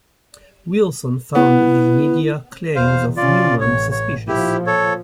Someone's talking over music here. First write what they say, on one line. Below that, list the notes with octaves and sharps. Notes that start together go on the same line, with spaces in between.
Wilson found the inedia claims of Neumann suspicious.
B3 E4
E2 C5 F5
C3 C#4 F4 D5
A1 C#5
C#5
A#2 F3 E4 G4
A4 C#5